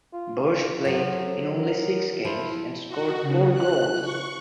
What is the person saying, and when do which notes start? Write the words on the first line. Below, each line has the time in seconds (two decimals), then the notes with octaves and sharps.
Bertsch played in only six games and scored four goals.
0.13 F4
0.85 F3 F#3 A3
1.59 A#4
2.25 F3 E4
2.88 F#4
3.21 C#3
3.53 F#6
4.02 C#6